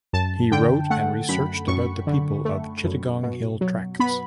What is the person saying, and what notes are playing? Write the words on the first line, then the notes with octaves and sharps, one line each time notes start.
He wrote and researched about the people of Chittagong Hill Tracts.
F#2 A5
D3 G5
A3 F#5
F#2 B5
F#2 C#6
D3
A3
F#2
B2
F#3
B3 B5